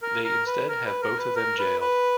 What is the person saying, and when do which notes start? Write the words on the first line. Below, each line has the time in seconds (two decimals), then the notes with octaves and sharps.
They instead have both of them jailed.
0.02 A#4
0.24 A#4
0.47 B4
0.69 A#4
0.86 B4
1.02 A#4
1.19 B4
1.36 A#4
1.59 B4
1.80 B4